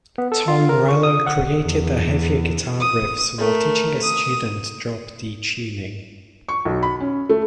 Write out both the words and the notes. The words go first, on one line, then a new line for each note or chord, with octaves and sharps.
Tom Morello created the heavier guitar riffs while teaching a student drop D tuning.
B3
A4
F4
A#4
C#6
D#6
F#5
E2
D#6
A3 A#4
D#6
C#6
B1
B5
C#4
A3